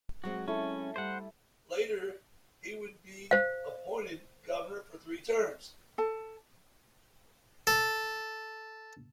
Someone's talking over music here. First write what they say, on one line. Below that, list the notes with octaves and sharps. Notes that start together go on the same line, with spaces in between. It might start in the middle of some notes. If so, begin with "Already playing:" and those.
Later he would be appointed Governor for three terms.
F#3 G#3 C4 F#4
C#4 E4 A4
G3 A3 C5 F#5
C5 F5
A4 A5
A4